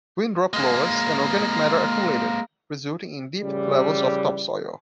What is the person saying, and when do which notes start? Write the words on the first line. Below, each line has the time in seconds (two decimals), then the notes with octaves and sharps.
Wind-dropped loess and organic matter accumulated, resulting in deep levels of topsoil.
0.53 G#3 A#3
3.42 A2 C#3 E3 F3 G3